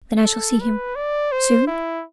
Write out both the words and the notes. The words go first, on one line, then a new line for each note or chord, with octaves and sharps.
"Then I shall see him ... soon?"
A4
B4
D5
C5
E4